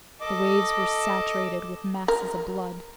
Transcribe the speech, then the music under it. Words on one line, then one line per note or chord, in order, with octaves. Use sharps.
The waves were saturated with masses of blood.
A4 D#5 D6
A#4